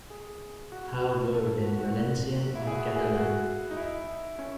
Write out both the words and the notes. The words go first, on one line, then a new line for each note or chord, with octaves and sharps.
How good in Valencian or Catalan.
G#4
F#4
A4
F#4
F#4
E4
G#4
F#4
G#4
F#4
D#4
E4
C#4